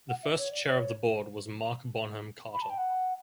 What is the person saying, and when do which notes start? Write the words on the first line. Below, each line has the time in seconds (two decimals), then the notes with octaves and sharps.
The first chair of the board was Mark Bonham Carter.
0.09 F#5
0.23 E5
0.38 C#5
0.51 D5
0.65 C#5
2.53 B5
2.62 A5
2.70 G5
2.78 F#5